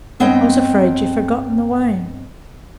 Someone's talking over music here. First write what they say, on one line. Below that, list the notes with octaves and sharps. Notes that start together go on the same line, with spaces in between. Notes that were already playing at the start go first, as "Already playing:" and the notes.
I was afraid you'd forgotten the way.'
G2 B3 C4 C#5 D#5 G5